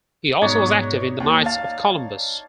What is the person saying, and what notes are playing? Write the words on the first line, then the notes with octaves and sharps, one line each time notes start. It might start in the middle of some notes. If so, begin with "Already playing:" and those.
He also was active in the Knights of Columbus.
G#2 B2 D#4 C#5 D5
D#2 A5
F5 A5